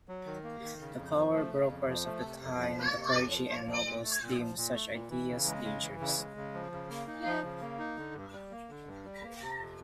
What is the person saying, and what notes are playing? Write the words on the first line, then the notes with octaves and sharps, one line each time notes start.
The power brokers of the time, the clergy and nobles, deemed such ideas dangerous.
F#3
D#3
A#3
D#3
C#3
F2
F3
A3
C#3
F2
F3
A3
C3
F2
F3
A#3
C3
F2
F3
A#3
F3
A#2
A3
A#2
F3
A#2
A3
A#2
E3
C#3
G#3
C#3
E3
C#3
G#3
C#3
F3
C#3
A#3
D#4
F3
C#3
A#3
D#4
D3
G2
G3
A#3
D3
G2
G3
A#3
C3
F2